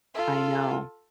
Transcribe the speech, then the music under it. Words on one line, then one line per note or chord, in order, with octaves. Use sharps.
I know.
F4 A4